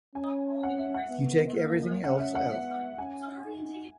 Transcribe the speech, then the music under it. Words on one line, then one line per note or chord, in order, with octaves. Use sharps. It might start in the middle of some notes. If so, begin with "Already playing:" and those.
You take everything else out.
C#4 G#5
F#5
E5
F#5
B3
A#3
C#4 F#5
E5
F#5
B3
C#4 G#5
D#4